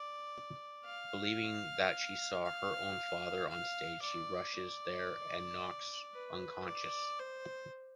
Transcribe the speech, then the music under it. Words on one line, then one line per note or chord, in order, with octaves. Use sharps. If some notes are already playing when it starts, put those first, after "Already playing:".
Believing that she saw her own father on stage, she rushes there and knocks unconscious.
Already playing: D5
F5
F5
F5
D5
D5
B4
D5
C5